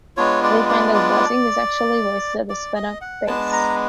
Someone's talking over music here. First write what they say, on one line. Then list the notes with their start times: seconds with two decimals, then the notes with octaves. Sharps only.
They find that the buzzing is actually voices at a sped-up pace.
0.17 G#3 B3 D4 F4 C#5
0.43 D5
0.69 D5
0.94 D5
2.50 D5
2.75 D#5
3.01 F#5
3.27 G#3 B3 D4 A5
3.53 A#5